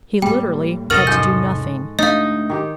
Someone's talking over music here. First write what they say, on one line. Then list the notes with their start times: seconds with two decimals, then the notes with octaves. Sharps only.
He literally had to do nothing.
0.22 A2 G3 A#3 G5
0.90 E2 A2 C3 F#4 A4 A#4 D#5 F6
1.07 G#2 F3 G#3 G6
1.99 A3 D4 D#4 D#5 F5
2.50 D#3 G4